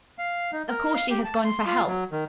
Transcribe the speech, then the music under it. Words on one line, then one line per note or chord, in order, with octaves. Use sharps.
Of course she has gone for help.
F5
D#4
A#4
F5
G4
A5
C6
F4
F#3
D#3